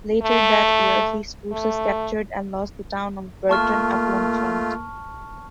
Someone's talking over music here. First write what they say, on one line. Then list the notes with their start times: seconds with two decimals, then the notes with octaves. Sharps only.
Later that year, his forces captured and lost the town of Burton upon Trent.
0.22 A3
1.52 A3
3.49 A3 A#3 F4 A5 C#6 F6